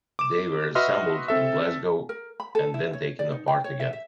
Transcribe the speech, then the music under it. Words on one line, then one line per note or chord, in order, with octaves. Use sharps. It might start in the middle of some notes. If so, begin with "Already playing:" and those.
They were assembled in Glasgow and then taken apart again.
D6 E7
F#4 B4 D#5 E5 C6 F6
C4 A4 E5
A#4
B5
A4
E4
C#5
D5
D#4
G5
C#5
E5
E5